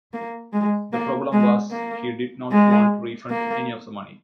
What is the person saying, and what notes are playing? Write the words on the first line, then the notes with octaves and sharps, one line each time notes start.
The problem was he did not want to refund any of the money.
A#3
G#3
A#3
G#3
A#3
G#3
A#3